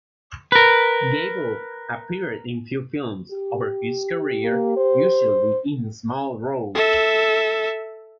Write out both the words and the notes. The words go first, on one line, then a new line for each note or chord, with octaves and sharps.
Gabel appeared in few films over his career, usually in small roles.
A#4 B4
G4
A#3
C5
A4 E5